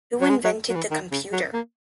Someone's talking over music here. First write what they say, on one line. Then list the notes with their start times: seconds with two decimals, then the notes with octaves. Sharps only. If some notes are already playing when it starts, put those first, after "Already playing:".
Who invented the computer?
0.21 F#3
0.30 G#3
0.44 F#3
0.69 F#3
0.75 E3
0.91 D#3
1.12 C#3
1.33 F#3
1.54 A#3